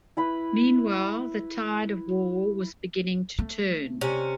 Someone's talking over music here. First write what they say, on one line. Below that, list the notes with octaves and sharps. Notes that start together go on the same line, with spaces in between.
Meanwhile, the tide of war was beginning to turn.
E4 B4 B5
A3
C3 C#4